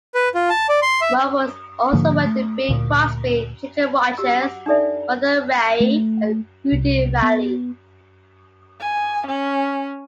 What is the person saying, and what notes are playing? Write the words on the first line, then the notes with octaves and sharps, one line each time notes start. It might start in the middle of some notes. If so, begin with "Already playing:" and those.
Morros also worked with Bing Crosby, Ginger Rogers, Martha Raye, and Rudy Vallee.
B4
F4
A5
D5
C6
E5
G#2 D3 F3 A#3
A3
D2 A#2
F#4 G4 E6
F#5 D6
D4 D#4 A4 D5 E5
A3
C2
B3
G#5
C#4